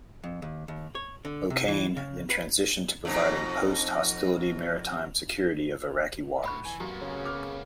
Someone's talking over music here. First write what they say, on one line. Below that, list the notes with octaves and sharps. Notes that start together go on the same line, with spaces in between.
"O'Kane" then transitioned to providing post hostility maritime security of Iraqi waters.
F2
D#2
D#2
C#5
D3
C3
E3
C#3
B4
F2 B2 D#4
A2 F#5 B5 C#6
E3 G#5
F#2 A#3 B3 G4
C#3
D6 F6